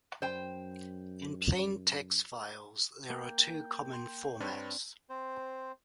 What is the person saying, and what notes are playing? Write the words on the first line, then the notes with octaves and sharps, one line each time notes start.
In plaintext files, there are two common formats.
F#2 C5 G5
A#3 G5
C6
G2 C4 D4 B4 C#5
C4 C5